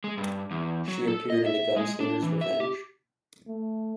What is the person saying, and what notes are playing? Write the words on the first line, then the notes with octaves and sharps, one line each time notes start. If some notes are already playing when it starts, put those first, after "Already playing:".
She appeared in "Gunslinger's Revenge".
G#3
G2
E2
F#3
A4
D#5
E5
G#3
D4
E3
E5
G4
A3